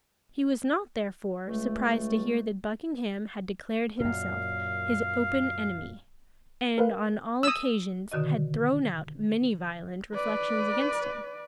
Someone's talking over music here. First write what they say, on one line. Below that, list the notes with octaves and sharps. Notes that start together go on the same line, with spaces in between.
He was not, therefore, surprised to hear that Buckingham had declared himself his open enemy, and, on all occasions, had thrown out many violent reflections against him.
C#2 G#3 A3
F#2 A#2 F5
A#4 B4 F5
D#6 E6
B2 D3 D#3 F#4 D#5
B4 D5